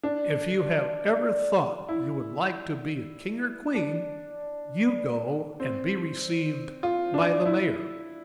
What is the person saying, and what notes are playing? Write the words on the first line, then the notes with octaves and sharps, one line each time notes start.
If you have ever thought you would like to be a king or queen, you go and be received by the mayor.
D4
E4
D4
C4
F4
D4
E4